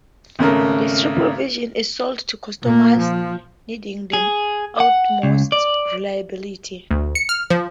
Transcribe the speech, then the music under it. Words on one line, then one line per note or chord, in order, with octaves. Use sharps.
The triple version is sold to customers needing the utmost reliability.
G#1 C#3 A3 A#4
A#2 A#3
F3
G#4
F#5
C#2
D5
D2
C#7
F6
F3